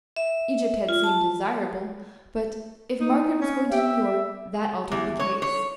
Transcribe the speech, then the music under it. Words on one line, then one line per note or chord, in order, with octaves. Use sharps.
Egypt had seemed desirable, but if Margaret was going to New York, that altered the case.
E5
F4
A5
D#4
C#4
G4 E5
E2
C#5
C#5